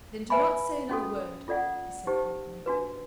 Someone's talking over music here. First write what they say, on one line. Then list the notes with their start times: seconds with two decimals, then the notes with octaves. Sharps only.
"Then do not say another word," he said, promptly.
0.30 B4 E5 G#5 B5
0.89 C#4 F#4 A4
1.48 F4 A4 D5 F#5
2.07 D#4 G4 C5
2.66 D4 F#4 B4